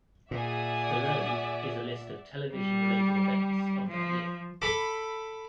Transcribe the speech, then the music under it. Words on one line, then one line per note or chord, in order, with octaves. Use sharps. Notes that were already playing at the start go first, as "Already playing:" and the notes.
Below is a list of television-related events of that year.
A#2 G#4 D5 E5 F#5 G#5 D#6
G3
F3
A4 B5 D6